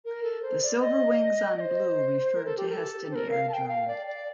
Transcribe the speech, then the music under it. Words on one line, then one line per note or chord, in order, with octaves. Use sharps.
The silver wings on blue referred to Heston Aerodrome.
A#4
A4
C5
D5
D#5
D5
C5
A#4
A4
G4
A#4
A4
C5
A#4
F5
A5
G5
F5
D5
D5